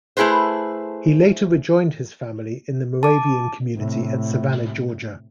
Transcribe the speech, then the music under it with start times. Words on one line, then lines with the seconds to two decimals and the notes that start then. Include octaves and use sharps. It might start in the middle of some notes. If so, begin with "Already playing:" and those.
He later rejoined his family in the Moravian community at Savannah, Georgia.
0.17 A3 E4 G#4 B4 C5
3.03 A5 D6
3.77 A2 C3